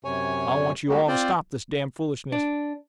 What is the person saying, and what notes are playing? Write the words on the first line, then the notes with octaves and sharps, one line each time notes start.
I want you all to stop this damned foolishness.
F#2 C3 C#5 G#5
G3 G#3 A#3 F#4 G4
C4 F4 C5 D5
D4